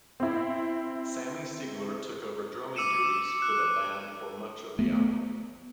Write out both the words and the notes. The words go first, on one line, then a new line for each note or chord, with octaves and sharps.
Sammy Siegler took over drumming duties for the band for much of the album.
C4 E4
D6 E6 C#7 D#7 E7
F#6
A3 B3